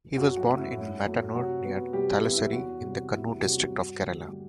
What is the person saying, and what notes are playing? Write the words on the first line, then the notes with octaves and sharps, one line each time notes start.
He was born in Mattanur, near Thalassery, in the Kannur district of Kerala.
F#2 F#3 F#4
F#3 F#4
F#3 A3
E4
F#2
F#3 A3
C3 F#3 F#4
F#3 B3
C3 G3 G4
E4
F#3 B3
E4
E2 F#3 F#4
C3 G3
E2 E4
C3 F#3 G3 F#4
G2
D3 A3
G3 G4